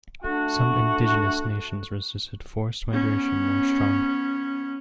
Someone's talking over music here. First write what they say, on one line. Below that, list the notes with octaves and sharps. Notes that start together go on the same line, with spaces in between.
Some indigenous nations resisted forced migration more strongly.
A3 D4 F#4
B3 C#4